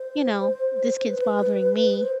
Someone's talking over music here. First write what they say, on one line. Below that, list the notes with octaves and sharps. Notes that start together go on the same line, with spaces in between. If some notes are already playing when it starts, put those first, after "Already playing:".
you know, this kid's bothering me."
Already playing: C5
B4
C5